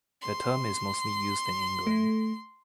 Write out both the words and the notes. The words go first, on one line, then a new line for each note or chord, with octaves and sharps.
The term is mostly used in England.
C6
A3